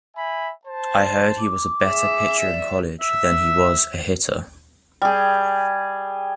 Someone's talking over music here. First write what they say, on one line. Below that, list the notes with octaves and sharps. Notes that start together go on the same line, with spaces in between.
I heard he was a better pitcher in college than he was a hitter.
E5 G#5 B5
C5 A5
D6
G#4 E5
D5
E5
G3 G#4